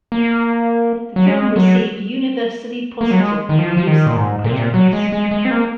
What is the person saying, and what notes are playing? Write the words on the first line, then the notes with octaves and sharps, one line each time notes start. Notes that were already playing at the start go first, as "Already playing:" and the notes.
The film received universally positive reviews from critics.
A#3
F#3
G#3
F#3
A#3
F#3
G#3
D#3
F3
F3
D#3
A#2
G#2
A#2
C3
A#2
F#3
G#3
G#3
G#3
C4
A#3